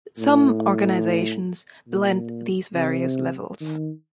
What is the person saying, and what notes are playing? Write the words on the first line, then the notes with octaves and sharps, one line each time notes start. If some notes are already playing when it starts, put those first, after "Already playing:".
Some organisations blend these various levels.
A2
A#2
C3
D#3